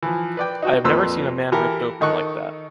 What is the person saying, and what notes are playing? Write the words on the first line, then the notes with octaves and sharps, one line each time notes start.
I have never seen a man ripped open like that.
E3 F3
B4 D5 G5
D#4 F#4 G5
F2 A#2 B4 C5 E6
E3 E4 G4 A4 A#4
D#3 D#4 A4 C#6 F#6